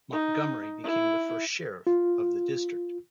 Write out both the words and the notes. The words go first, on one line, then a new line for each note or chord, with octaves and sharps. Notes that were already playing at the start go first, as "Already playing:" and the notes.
Montgomery became the first sheriff of the district.
D#4
E4
F4